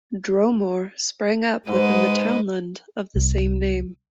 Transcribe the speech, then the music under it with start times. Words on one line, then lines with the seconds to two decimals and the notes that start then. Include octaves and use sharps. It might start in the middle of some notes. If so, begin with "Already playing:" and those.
Dromore sprang up within the townland of the same name.
1.68 G#2 G#3 B4 D#5
3.16 C2